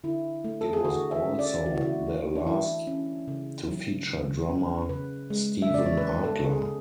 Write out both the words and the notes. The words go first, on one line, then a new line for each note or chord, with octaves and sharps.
It was also their last to feature drummer Steven Adler.
D3 E4
A3
A4
G#4
D3 F#4
E5
C#4
D5
E3 F#4
E4
F#4
A3
D4
E3 E4
C#4
C#3
F#3
C#3
C#4
C#3 B4
G#3
E5
C#3 D5
C#5
B4
B3
A4
C#3 G#4